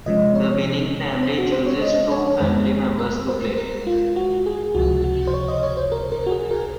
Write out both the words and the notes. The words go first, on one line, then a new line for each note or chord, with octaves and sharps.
The winning family chooses two family members to play.
C3 F3 G#3 C#4 D#5
C#5
C5
F#4
C5
C#5
D#5
C#5
F2 D#3 G#3 C5
A#4
C5
A#4
F4
F#4
G#4
C#2 C3 F3 F#4
F#4
C5
C#5
D#5
C#5
C5
A#4
A#4
F#4
G#4
A#4